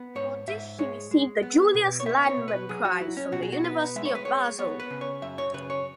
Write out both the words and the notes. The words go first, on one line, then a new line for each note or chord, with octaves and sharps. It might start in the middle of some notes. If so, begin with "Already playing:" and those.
For this she received the Julius Landmann Prize from the University of Basel.
Already playing: B3
G#2 C#5
G#2 E5
G#3 C#5
G#3
B3
B2
C#5
B3 E5
C#5
B2
B4
F#3 G#4
F#4
F#3 E4
C#4
B2 F#4
G#4
F#4
B3 B4
G#3 E5
C#5
B4
G#3 C#5
B3 C#5
B4
C#3
C#5
F#2 E5
C#5
C#3 B4
C#5